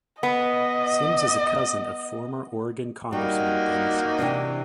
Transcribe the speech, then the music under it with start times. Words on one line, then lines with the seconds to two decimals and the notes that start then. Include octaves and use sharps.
Symms is a cousin of former Oregon congressman Denny Smith.
0.23 B3 D#5
3.12 G3 A#3 D#4 F#4
4.19 C3 E3 D4